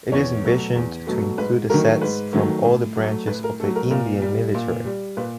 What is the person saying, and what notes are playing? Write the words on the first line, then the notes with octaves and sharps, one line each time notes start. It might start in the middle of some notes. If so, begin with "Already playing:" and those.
It is envisioned to include assets from all the branches of the Indian military.
E2 C#5
B2 F#3 A3
E2
B2 F#3 A3
G#2 B4
D#3 F#3 A3 A#4
G#2 B4
D#3 F#3 A3
A2
F#3
A3
A2 B4
A#4
F#3 A3 A4
A#4
A#2 A#4
G3
A#2
G3
A#2 B4